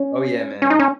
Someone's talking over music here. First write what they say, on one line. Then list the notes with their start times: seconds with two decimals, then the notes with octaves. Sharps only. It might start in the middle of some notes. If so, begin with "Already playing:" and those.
Oh, yeah, man.
Already playing: C#4
0.62 C#4
0.70 D#4
0.79 C#4